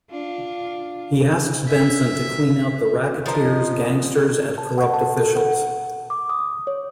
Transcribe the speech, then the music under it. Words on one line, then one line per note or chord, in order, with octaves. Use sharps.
He asks Benson to clean out the racketeers, gangsters, and corrupt officials.
D4 F4
E5
F3 A#4 D#5
A5
F#5
A5
A4
F#5
D6
D#6
C#5